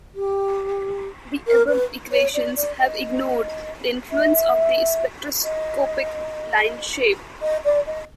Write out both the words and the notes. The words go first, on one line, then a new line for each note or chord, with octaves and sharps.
The above equations have ignored the influence of the spectroscopic line shape.
G4
A#4
B4
C#5
D5
D5
D#5
E5
D#5
D#5
D5
D#5